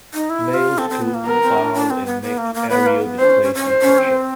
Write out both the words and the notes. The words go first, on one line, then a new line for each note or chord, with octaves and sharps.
Males coo, bow and make aerial displays in courtship.
D#4
E4
F4
C4 A4
C4
B3
A#3
B3 A#4
C4
D4
D4
C4
B3
B3
A#3
A#3
B3 B4
A#3
B3
C4 C5
D4
C#4
C#4
C#4
C5
C#4
C4